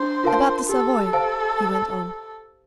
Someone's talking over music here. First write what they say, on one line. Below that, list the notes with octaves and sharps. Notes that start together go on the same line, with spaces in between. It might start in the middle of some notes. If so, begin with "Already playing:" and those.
"About the Savoy," he went on.
Already playing: D4 C5
F4 A#4 F5 A5
G4 A4
C5 F5 A5